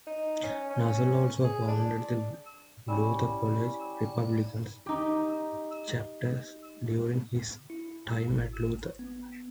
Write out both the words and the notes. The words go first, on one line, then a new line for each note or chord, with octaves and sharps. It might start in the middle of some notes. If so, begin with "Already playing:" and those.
Nussle also founded the Luther College Republicans chapter during his time at Luther.
D#4
C#4
C#4
G#4
D4
G3 C#4 E4
D#4 G4
E4
G#1
B3